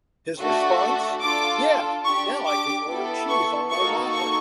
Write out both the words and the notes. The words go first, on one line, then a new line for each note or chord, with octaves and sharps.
His response: "Yeah, now I can order cheese on my Whopper".
A3 D4 F#4 A4
D4 F4 A4 D6
D4 G4 C#6
D6
B3 E4 A4
C#6
A#3 D#4 F#4 A4 C#6
C#6